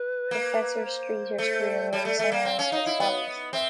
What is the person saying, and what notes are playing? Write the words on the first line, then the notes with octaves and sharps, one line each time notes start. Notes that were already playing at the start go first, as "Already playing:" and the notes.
Professor Streater's career may be summarised as follows.
Already playing: B4
A#3
C5
A3
G3 C#5
A3 D5
A3 E5
A#3 F5
C4
C#4
D#4
E4
B3
C4 E5